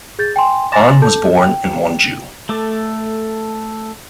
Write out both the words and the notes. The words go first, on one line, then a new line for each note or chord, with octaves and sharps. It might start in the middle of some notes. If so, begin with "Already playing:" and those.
Ahn was born in Wonju.
G#4 G6 A6
G5 G#5 C6
G#5 A#5 C6 A6 A#6 E7
A4 A5 G6
G5
A3 A4 D6